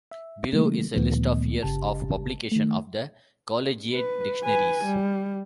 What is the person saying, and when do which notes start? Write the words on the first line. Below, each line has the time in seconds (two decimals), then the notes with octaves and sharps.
Below is a list of years of publication of the Collegiate dictionaries.
0.11 E5
0.53 C#3 E3 G3 A3 A#3
0.94 D2 A#2 D#3 F3 A3 B3
1.63 G1 C#3 G4 A5
2.52 D#3 A3
3.94 B4
4.43 B4 G#5
4.85 G3